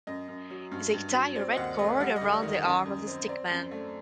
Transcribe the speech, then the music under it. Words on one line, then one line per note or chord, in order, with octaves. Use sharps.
They tie a red cord around the arm of the sick man.
F#2 D#5
F#2
F#3
G2
G2
F#3
C4 D5
D#5
D#2 F#5
A3 D#5
G3 F#5
D#5
D2
D5
D#3
D#5
F#2
F#2
C4
C4 D5
F#2
A3